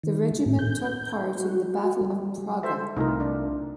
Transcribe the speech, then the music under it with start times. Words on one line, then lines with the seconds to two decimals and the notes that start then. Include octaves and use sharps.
The regiment took part in the battle of Praga.
0.03 D#3
0.46 A2
0.59 G6
1.37 F#4
1.74 F#4
2.01 G3
2.63 A4 C5 E5
2.97 C2 A3 D#4 F4 A#4
3.20 D4